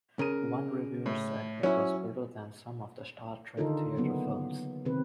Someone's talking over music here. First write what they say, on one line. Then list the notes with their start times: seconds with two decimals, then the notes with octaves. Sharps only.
One reviewer said it was better than some of the Star Trek theater films.
0.19 C#3 A#4 D#7
1.06 A2
1.63 F#3 C#4 E4
3.57 D3 D#3 D#4 F4 A4 A#4
3.95 C#3 F#3 A#3 B3
4.85 C3 D#3 C4 B4